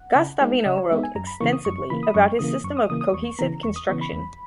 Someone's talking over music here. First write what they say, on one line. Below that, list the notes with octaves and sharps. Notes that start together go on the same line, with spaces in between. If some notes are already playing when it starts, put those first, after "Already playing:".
Guastavino wrote extensively about his system of "Cohesive Construction".
Already playing: F#5
C#3
G#3 B3 D#4
C#3 D#5
C#5
G#3 B3 D#4 E5
G#5
F#2 A#5
B5
C#3 E3 A#3 C#6
D#6
F#2 C#6
C#3 E3 A#3 B5
D#6
F#2 C#6
C#3 E3 A#3 D#6
F#2 C#6
D#6
C#3 E3 A#3 D#6
D#6
E2 C#6
C#3 E3 B3 A#5
E2 C#6
D#6
C#3 E3 B3 C#6
B5
E2